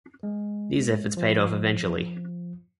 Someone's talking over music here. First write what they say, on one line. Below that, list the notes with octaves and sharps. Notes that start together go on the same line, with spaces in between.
These efforts paid off eventually.
G#3
F3